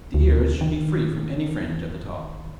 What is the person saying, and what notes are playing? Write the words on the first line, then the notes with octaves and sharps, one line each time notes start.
The ears should be free from any fringe at the top.
D2
D#3